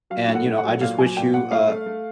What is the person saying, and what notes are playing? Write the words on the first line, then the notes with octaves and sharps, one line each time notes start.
and, you know, I just wish you, uh,
F#3 F5
A2
F#5
A2
F#5
F#3
A#2 F5
F#3 G#5
A#2 G5
A#2 F#5
A3 F5
A3
A3